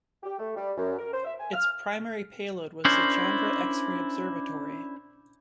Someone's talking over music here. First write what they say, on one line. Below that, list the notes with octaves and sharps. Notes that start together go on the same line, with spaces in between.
Its primary payload was the Chandra X-ray Observatory.
G4
A3
G3
F#2
A#4
C5
E5
G#5
F6
C#4 D4 E4 A#4 C5